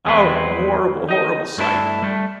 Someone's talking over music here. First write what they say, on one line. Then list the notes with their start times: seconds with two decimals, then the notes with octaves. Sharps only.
O! a horrible, horrible sight!'
0.06 E2 G#3 B3 C4 B4
1.09 D#4 D#5
1.57 G2 A3 D4 E4 A5
2.02 G3 A3